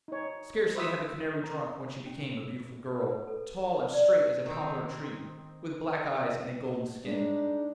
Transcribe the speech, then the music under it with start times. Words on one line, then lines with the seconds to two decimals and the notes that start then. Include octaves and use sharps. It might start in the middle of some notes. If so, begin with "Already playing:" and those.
Scarcely had the canary drunk when she became a beautiful girl, tall and straight as a poplar tree, with black eyes and a golden skin.
0.08 D#4 C#5
0.75 B4 C5 E5 D#6
1.44 A#5
2.06 C#4
2.98 B4
3.27 A4
3.93 D5
4.46 D#3 C4
7.05 G#3 D4 D#4